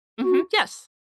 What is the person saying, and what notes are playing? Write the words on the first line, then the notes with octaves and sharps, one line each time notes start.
Mhm, yes.
F#4